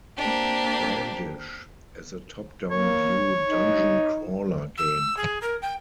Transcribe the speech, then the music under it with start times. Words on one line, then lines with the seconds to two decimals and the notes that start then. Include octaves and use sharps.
"Brandish" is a top-down view dungeon crawler game.
0.17 A#3 C4 D4 G4
2.71 A#3 C#5
3.45 D#4
4.77 E6
5.17 G#4
5.41 A#4
5.62 G5